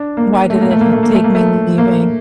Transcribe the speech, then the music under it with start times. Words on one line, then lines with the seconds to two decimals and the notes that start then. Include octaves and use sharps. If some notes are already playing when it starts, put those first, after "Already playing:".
why did it t take me leaving
Already playing: D4
0.17 A#3
0.50 A3
0.61 A#3
0.71 A3
0.81 A#3
0.92 A3
1.03 A#3
1.14 A3
1.24 A#3
1.35 A3
1.78 A#3